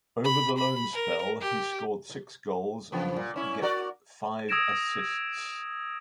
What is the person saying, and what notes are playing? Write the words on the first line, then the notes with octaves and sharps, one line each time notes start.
Over the loan spell he scored six goals and get five assists.
B5
B5
A#4
G4
C#3 F3 B3
A#2
C#4 E4
F#4 A#4 D5
D#6 E6 G#6 A#6 D7 E7